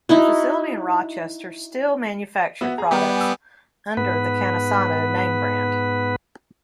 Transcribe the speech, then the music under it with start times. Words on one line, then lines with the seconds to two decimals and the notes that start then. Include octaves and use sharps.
The facility in Rochester still manufactured products under the Cantisano name brand.
0.09 D#4 E4 F#4
2.61 B3 F#4 E5
2.78 G#4 A#5
2.91 G3 B3 G4
3.17 G#5 D#6 E6
3.97 G#2 B3 B4